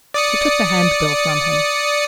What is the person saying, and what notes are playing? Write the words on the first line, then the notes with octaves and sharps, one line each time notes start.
She took the handbill from him.
D5 D#6 C#7